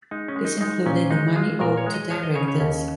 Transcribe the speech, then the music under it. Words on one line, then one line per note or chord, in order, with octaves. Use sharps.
This included the money owed to directors.
G#3 D#4
C#4
G#3
D#4
G#3 D#4
A#2 C#4
G#3 D#4
G#3 F4
A#2 A#4
C#5
G#3
D#5
F3 C#5
D#5
C#3 C#5
C#5
D#2 C#4